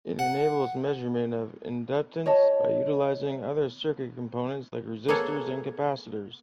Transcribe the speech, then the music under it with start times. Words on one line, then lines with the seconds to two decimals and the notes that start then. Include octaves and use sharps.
It enables measurement of inductance by utilizing other circuit components like resistors and capacitors.
0.19 F#5
2.26 C#5 D#5 A5
5.08 A#3 B3 G#4 A4 C#5